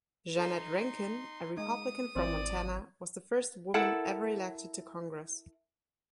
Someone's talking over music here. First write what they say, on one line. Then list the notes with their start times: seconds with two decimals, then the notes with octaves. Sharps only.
Jeannette Rankin, a Republican from Montana was the first woman ever elected to congress.
0.37 D#4 A4 C6
1.57 G#3 D#4 D#6
2.15 G#1 E3 C4 C5 D5
3.74 E4 A4 A#4 F#5